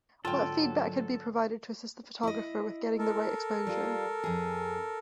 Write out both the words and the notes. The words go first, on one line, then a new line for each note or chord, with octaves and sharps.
What feedback could be provided to assist the photographer with getting the right exposure?
G#2 D3 F#3 F4 A4 G5
E4 D#5
A4 A#4
G3 F4
F2 G#4